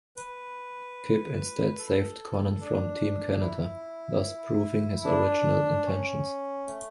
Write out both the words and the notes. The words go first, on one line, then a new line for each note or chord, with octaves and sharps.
Kip instead saved Konnan from Team Canada, thus proving his original intentions.
B4
A4
D4
E4
D4
C#4
A3